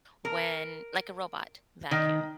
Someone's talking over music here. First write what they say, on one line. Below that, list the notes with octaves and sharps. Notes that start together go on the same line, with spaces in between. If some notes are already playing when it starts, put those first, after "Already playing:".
when, like, a robot vacuum.
A#4
D#3